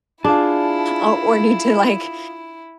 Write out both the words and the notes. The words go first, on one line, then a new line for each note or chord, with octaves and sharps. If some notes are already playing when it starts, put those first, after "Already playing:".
or need to, like,
D4 E4 F4 G#4 A5